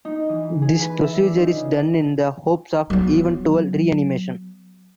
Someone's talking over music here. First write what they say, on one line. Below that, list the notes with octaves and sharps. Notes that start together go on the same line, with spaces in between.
This procedure is done in the hopes of eventual reanimation.
D#4
E3
G#4
B4
E5
D4
D#4
C#3
F#3 B3